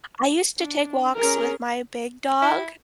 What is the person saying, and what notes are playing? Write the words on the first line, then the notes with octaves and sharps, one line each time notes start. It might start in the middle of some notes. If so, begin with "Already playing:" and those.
I used to take walks with my big dog,
D4
C#4 G#4 A#4
E4